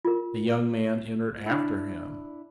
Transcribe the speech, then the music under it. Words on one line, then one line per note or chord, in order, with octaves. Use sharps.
The young man entered after him.
F4 A#4
D4 E4